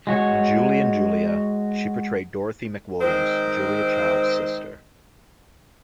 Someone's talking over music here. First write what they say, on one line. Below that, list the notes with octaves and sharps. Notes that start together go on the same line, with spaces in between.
In "Julie and Julia," she portrayed Dorothy McWilliams, Julia Child's sister.
G#3 F#4 C#5
D#3 G#3 C4 C5